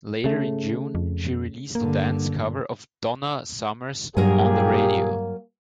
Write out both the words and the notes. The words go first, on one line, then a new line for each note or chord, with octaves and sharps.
Later in June, she released a dance cover of Donna Summer's "On the Radio".
C#3 A3
F2
G2 D3 A#3
G2 A#2 F#3 A#3 G4 G#4 A#4 G#5